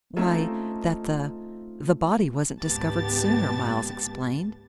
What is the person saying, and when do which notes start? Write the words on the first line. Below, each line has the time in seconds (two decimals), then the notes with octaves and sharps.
"Why, that the--the body wasn't discovered sooner," Miles explained.
0.16 A3 C4 C#4 D#4 F4 A4
2.61 G#1 C#2 B3 G4 A5 A6